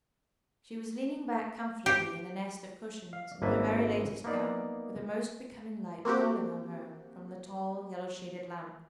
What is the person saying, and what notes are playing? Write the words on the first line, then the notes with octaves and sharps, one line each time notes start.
She was leaning back comfortably in a nest of cushions, in her very latest gown, with a most becoming light falling on her from the tall, yellow-shaded lamp.
G4
F5
G#1 A#3 C#4 B4 E5 A5
A#3 B3 D#4 D5 F5
A#3 C4 F#4 G4